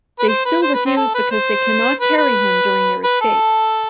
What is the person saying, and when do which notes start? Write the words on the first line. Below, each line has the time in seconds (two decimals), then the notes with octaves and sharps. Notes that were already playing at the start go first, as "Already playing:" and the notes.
They still refuse because they cannot carry him during their escape.
0.19 B4
0.28 C5
0.45 B4
0.63 C5
0.74 B4
0.86 C4
0.97 A4
1.15 B4
1.31 C5
2.00 B4
2.18 B4
3.04 B4
3.21 A4